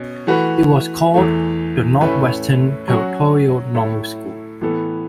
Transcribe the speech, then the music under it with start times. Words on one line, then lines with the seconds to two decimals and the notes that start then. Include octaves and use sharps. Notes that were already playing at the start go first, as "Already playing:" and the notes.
It was called the Northwestern Territorial Normal School.
Already playing: B2 C#4
0.27 E3 A3 F#4 B4
1.14 E2 E3 A3
2.01 A2 A3 C#4 E4 B4
2.88 F#3 C#4 F#4
3.74 A2 A3 E4 A4 C#5
4.61 A2 E3 B3 A4